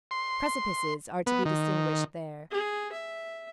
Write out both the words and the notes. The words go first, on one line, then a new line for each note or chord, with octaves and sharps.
Precipices are to be distinguished there.
C6
B3
D#3
G#4
E5